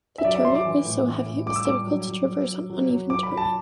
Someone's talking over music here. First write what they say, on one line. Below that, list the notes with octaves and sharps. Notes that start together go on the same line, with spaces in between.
The turret was so heavy it was difficult to traverse on uneven terrain.
E5
F#3 D5
E5
F#3 C6
D6
E3
A2
E3
A2
G3 D6
E6
G3 D6
F#3
F#3
F#3
F#3
F#3
F#3
F#3 D6
B5
F#3
A5